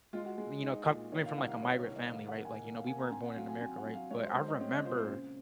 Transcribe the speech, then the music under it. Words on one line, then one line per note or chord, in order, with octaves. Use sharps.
you know, coming from, like, a migrant family, right, like, you know, we weren't born in America, right? But I remember
G#3 F4
F#4
G#3 G#4
D#4
A#2
D#3 C#5
F5
C2 F#5
F5
D#3 C#5
C#5
C2
D#5
D#3 F5
F#5
A#3
G#5
A#3
F5
A#3 G#5
A#5
C4 G#5
F#5
F#3 F5
G#5
C4 G#5
F#5
F#3
F5
G#3 C#5
C5
G#3 C5
D#5
C4 C#5
D#5
A#2 C5
C5
C#3